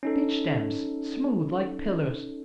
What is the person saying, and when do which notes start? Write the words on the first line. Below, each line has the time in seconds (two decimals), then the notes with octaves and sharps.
Beech stems, smooth, like pillars.
0.03 C#4 D#4 A4